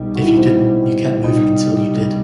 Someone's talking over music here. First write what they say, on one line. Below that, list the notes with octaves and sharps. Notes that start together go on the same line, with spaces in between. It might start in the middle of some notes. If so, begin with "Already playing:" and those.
If you didn't, you kept moving until you did.
Already playing: B1 B2 G3 D#4
F#4
E4
D#4
C4
C2 B2 G3 D#4